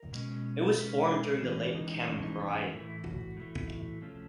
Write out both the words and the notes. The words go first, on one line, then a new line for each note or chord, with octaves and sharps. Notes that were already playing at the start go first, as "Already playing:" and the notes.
It was formed during the Late Cambrian.
Already playing: A#4
B2 G#3 C#4
B2 G#3 C#4 B4
G#4
A4
G#4
E3 G#3 C#4 F#4
F4
D#4
D#4
E3 G#3 C#4 D#4
D4
D#4
D#4
A2 E3 A3 E4
F#4
A2 E3 A3
C3 F3 A3 C#4